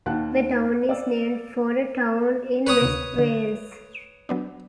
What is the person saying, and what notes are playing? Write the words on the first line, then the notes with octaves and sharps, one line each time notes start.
The town is named for a town in west Wales.
D#2 F5 F#5 A5 F#6
D5 F5 E6
B4 C#5 D#6
D2 C3
A#1 D3
F#3 B3 D4